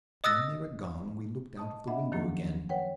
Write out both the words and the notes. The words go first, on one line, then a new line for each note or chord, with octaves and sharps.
When they were gone we looked out of the window again.
D#5 D#6 E6 F#6 A6 A#6
D#5 A5 D#6
D4 D#5 E5 F#5 B5
F#2 D#3 F3 F#3 A#3 C#4
B4 C#5 F#5 G5